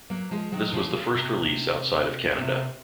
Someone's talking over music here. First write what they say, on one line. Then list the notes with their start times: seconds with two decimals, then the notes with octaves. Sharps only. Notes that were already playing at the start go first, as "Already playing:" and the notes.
This was the first release outside of Canada.
0.10 F#3 A#3
0.31 F3 G#3
0.52 D#3 F#3
0.73 C#3 F3
0.93 C#3
1.15 C3
2.39 C3